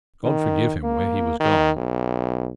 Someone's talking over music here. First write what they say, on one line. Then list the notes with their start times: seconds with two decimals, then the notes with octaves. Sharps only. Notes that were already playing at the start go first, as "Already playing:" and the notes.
God forgive him, where he was gone!
0.24 D#3
0.83 A#3
1.40 D#3
1.76 B1